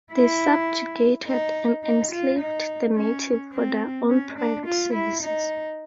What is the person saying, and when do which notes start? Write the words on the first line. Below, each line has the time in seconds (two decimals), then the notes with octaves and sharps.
They subjugated and enslaved the natives for their own private services.
0.13 E4
1.27 D#4
1.83 D#4
2.11 F4
2.39 D#4
2.96 C#4
3.53 C4
4.09 C#4
4.38 D4
4.66 F4
4.93 E4
5.22 D#4